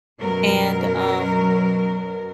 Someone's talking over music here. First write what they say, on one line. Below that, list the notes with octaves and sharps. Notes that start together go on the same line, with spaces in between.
and, um
F#2 B2 F#3 A#4